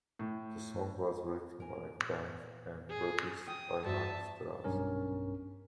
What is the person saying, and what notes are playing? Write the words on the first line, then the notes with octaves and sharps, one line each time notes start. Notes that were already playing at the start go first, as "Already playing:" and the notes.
The song was written by the band and produced by Markus Dravs.
A2
A#4 G#5
A#2
G#4
G5 D#6
G2 F#4 C5 E5 A5
B1 G2 C#4 A#4